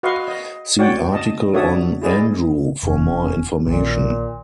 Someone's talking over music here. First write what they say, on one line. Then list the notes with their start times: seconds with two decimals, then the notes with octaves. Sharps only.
See article on "Andrew" for more information.
0.03 F#4 B4 D#5 F5 C6 C#6
0.28 D#5
0.79 F#4 C#5 D5 F#5 G5
1.12 D#5 A5 D#6
1.54 D4 F#4 C#5 D5 E5 D#6
2.02 E4 G#4 D5 D#5
2.83 F1 C#4
3.67 A#1 A#2 D#3